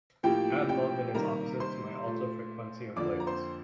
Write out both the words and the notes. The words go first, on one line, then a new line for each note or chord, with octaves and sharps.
Add Love and Its Opposite to my Alta Frecuencia playlist.
A2 F3 A#3 G4 G5
G4 G5
C3 D#3 G3 A#3 A#4 A#5
C5 C6
A#2 A3
F2 D3 F3 A#3 D5 D6
A#5
C5 C6